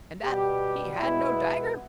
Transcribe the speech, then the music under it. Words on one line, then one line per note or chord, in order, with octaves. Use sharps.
And that he had no dagger?
B2 G3 B3 G4
B2 G#3 B3 E4